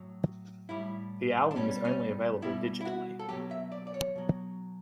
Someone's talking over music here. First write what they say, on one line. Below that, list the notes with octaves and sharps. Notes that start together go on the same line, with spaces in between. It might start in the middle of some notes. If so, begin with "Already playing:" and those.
The album is only available digitally.
Already playing: A2 F#3
A2 G3 E4
D4
B2 G3 C#4
C#4
B2 G3 E4
E4
F#4
A4
B2 F#3 G4
E5
D5
D5
C#5
B2 F#3